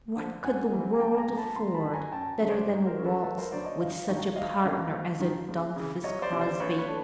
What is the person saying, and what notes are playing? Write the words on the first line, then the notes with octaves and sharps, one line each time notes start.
What could the world afford better than a waltz with such a partner as Adolphus Crosbie?
D3 F3
G2 F#5 G#5
E3 G3 C4
G#5
A1 G5 A5
G#5 A#5
A2 F#3 A3
A5 B5
A1 A#5 C6
A5 B5
G2 D#3 F#3 A3
G#5 A#5
F#2 G5 A5
C#3 F#3 A3 D4
C5 D5
G#2
A#4 C5
E3 G#3 C#4
A4 B4
E1 A4 B4
A#4 C5
D2 D3 F#3 C5 D5
C#5 D#5
G1 D#5 F5
G2 D#3 F#3
G#1 D#5 F5
F#2 D3 F#3 A#3
G#1
G2 D#3
C#2
C#3 E3
C2 C#5 D#5
C5 D5
C3 E3
C5 D5
A#1 B4 C#5
B4 C#5
A3 D4